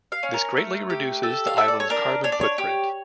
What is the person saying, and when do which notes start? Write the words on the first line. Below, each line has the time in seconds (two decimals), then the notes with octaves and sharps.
This greatly reduces the island's carbon footprint.
0.12 F5
0.23 C#4
0.34 A#4
0.57 A3
0.90 G4
1.23 A4
1.47 F5
1.57 A4 E5
1.68 D5
1.80 C#5
1.90 D4 A#4
2.24 D4 C#5
2.32 D5
2.41 C#5
2.58 G4